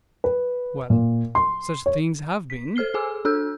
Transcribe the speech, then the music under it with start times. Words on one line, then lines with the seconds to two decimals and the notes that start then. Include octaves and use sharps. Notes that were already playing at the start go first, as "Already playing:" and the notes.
"Well, such things have been."
0.24 B4
0.90 A#2
1.35 C6
1.86 C#5
2.50 B6
2.76 A4 C5 F6 C7 G7
2.94 G#4 A4 G#5 D6 E6
3.25 D4 A4 E6 G6